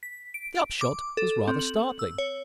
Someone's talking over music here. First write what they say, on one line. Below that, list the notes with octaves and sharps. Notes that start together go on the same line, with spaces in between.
The upshot was rather startling.
B6
D7
D6
A4
C4
F#7
E6
C#5